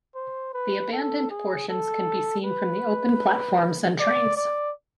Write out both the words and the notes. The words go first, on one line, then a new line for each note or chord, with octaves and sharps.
The abandoned portions can be seen from the open platforms and trains.
C5
B4
A4
G#4
A4
B4
D5
D5